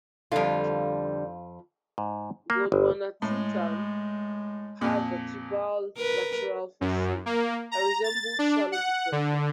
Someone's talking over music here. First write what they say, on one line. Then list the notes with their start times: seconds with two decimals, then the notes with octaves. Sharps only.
"Gondwanatitan" had vertebral lateral fossae that resembled shallow depressions.
0.32 F2 D3 G3 F4
1.98 G#2
2.50 A#3
2.72 G1
3.22 A2 G#3
4.81 F2 A#2
5.96 A#4 B4
6.81 F#2
7.26 A#3
7.71 A#5
8.04 A6
8.39 D4
8.72 F#5
9.12 D3